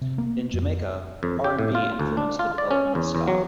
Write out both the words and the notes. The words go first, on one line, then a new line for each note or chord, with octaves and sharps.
In Jamaica, R and B influenced the development of ska.
C3
A#3
F2
F2
G4
A2
F4
D2
D4
F4
D5
C#4
E2
E2
F#3